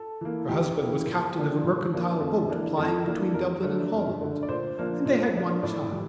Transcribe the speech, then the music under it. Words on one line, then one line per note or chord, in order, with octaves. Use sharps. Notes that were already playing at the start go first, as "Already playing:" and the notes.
Her husband was captain of a mercantile boat plying between Dublin and Holland; and they had one child.
Already playing: A4
E3 A#3
E2 G4
E3 A#3
A#2
F3 A#3 D4
A#2
F3 A#3 D4
F2 A4
E3 A#3 D4
F2 A4
E3 A#3 D4
F2 A#4
D3 A3 D4
F2
D3 A3 D4
D5
A#2 C5
F3 A#3 D4
A#2
F3 A#3 D4
A2 D5
E3 G3